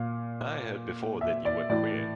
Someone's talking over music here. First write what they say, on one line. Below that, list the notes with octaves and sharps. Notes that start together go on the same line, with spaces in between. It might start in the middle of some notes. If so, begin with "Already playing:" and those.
I heard before that you were queer.
Already playing: A#2 F5
E5
D5
A2 E3 D5